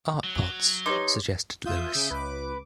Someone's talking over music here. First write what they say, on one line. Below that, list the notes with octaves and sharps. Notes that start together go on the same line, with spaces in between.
"Art pots," suggested Lewis.
F#3
D#4 G4 B4 C#5 G#5 C6 D6
F4 E5 D#6 G6
C#3
C#2 B4 D6